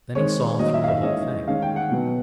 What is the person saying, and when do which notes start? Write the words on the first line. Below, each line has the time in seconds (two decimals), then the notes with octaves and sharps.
Then he saw through the whole thing.
0.15 D#3 G#3 C4 C#5
0.59 D#3 F#3 A#3 C#4 D#5
0.74 E5
0.84 F5
0.88 E5
1.03 E3 G#3 C#4 D#5
1.48 D#3 G#3 C#4 F5
1.62 G5
1.76 F#5
1.91 B2 F#3 B3